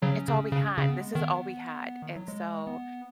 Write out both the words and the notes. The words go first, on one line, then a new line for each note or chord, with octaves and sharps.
it's all we had, this is all we had. And so
C#3 F#3 C#4
C#3
C#3
C#3 C#4
B3
G#3
D#3 B3
D#3
F#3
G#3
B3